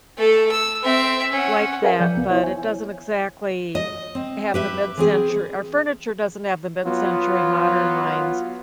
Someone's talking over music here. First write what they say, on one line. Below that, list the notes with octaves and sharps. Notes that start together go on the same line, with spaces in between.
like that, but it doesn't exactly have the mid-centur our furniture doesn't have the mid-century modern lines.
A3 A4
E6
C4 E5
C#4 F#5
G#4 A#4 B4 E5 F5 G#5
F3 D5 G6
C2 B3
E4 C5 C#5 E5
G#5
D#5
C4
G4 B4 E5
E3 C4 G#4
F#3 B3 F4